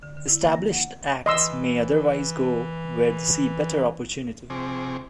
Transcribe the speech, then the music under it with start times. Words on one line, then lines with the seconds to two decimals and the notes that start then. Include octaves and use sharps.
Established acts may otherwise go where they see better opportunity.
0.03 D3
0.17 D3
0.29 E4
0.42 A#3
0.55 A#6
0.73 F#5
1.26 E3 D#5 C6 E6
4.50 C3 F3 C4 G#4 C#6 D6